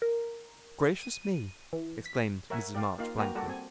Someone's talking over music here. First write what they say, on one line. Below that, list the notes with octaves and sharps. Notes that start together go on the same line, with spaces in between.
"Gracious me!" exclaimed Mrs. March blankly.
A#4
D#7
E3
B6
A#4 C#5 E5 F#5 G#5
G4 D5 F5
A#3 D#4 F4 F5
A#3 F#4 G4 B4 A#5
G3 F#4 A4 D5 F#5
C4 G#5